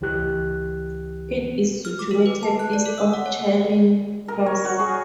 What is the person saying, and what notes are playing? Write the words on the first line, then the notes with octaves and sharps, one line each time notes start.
It is situated east of Charing Cross.
C#2 E3 G4 F#6
F6
D6
A4
B4
A5
F#6
D5
A4
E6
F#5
C#5
A#4
C#5
F#4
G#4